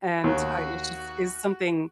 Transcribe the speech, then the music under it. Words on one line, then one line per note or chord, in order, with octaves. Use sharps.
and, uh, it’s just is something
D#2 F#4